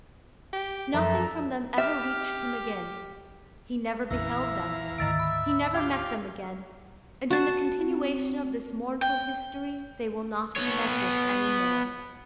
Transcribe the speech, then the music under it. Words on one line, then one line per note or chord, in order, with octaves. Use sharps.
Nothing from them ever reached him again; he never beheld them; he never met them again; and in the continuation of this mournful history they will not be met with any more.
G4
F#2 F3 A3 A4 C5 E5 A#5
G4 E5 F6
A#1 F2 E3 C#4 E5 F5 A#5
D2 G#2 D#3 E5 A6 D7
B5
F4 G4 F5 G5 D6
F#4 A5
C4
G5
B3 C#5